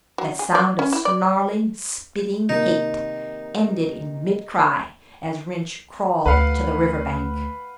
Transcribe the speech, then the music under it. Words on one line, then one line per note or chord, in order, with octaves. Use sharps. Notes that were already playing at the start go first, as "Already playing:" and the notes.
That sound of snarling, spitting hate ended in mid-cry as Rynch crawled to the river bank.
F#3
G#4
D5
C#4
E4
D5
C3 D#3 A#3 D#4
D2 B4 F5 F#5